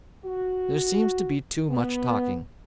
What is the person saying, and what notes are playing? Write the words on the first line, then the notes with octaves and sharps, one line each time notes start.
'There seems to be too much talking.'
F#4
B3